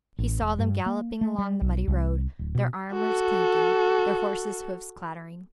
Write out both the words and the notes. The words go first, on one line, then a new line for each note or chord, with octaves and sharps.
He saw them galloping along the muddy road, their arms clanking, their horses' hoofs clattering.
A1
E1
G2
A#3
A3
G3
B1
C2
D1
B2
F#4 A4